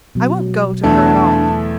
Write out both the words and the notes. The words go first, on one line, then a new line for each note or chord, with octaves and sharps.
I won't go to her at all.
B2 F#3
E2 A3 D4 A5